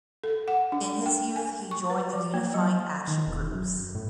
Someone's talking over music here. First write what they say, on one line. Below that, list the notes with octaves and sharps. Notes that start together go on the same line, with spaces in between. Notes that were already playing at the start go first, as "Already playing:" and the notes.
In his youth he joined the Unifying Action Groups.
A4
F#5
D4
G5
G#5
C#6
B4
F3
A#3
F#3
D#3
E1
F#2
A2